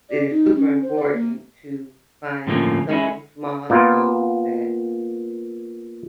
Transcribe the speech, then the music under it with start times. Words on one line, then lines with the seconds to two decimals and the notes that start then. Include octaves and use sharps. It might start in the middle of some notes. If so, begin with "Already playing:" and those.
it is super important to find simple, small things that
0.09 D5
0.30 D#4
0.55 C#4
0.82 C5
0.96 D5
1.13 A#3
2.47 A2 D3 F3 A3 A#3 C#4
2.89 G#3 C#4 E4
3.70 A#2 A#3 B3 F4